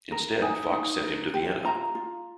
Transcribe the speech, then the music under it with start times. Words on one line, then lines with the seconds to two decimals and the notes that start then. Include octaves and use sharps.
Instead Fox sent him to Vienna.
0.12 A#4
0.41 D#4 G#5
0.72 D#4
1.03 A#4
1.34 G4
1.65 F4 A#5
1.95 F4